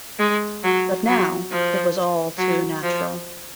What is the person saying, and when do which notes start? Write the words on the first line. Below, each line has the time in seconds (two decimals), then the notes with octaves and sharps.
But now it was all too natural.
0.19 G#3
0.63 F#3
1.07 F#3
1.51 F3
2.38 F#3
2.82 F3